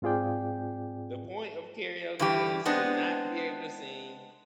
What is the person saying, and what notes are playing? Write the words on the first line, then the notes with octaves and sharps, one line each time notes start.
The point of karaoke is to not be able to sing
G#2 C4 F4 G#4 D5 G5
G2 E3 G4
G#3 B3 C4 D4